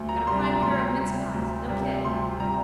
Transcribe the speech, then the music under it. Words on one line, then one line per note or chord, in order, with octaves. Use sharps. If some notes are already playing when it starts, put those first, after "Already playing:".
Got a prime pair of mincepies, no kid.
Already playing: D2
A#5
C3 G3 C6
A#5
D2 C6
C3 G3
D2
C3 G3
D2 C6
C3 G3 A#5